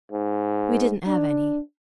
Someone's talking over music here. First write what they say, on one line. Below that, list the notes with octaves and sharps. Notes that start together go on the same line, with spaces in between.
"We didn't have any."
G#2
D4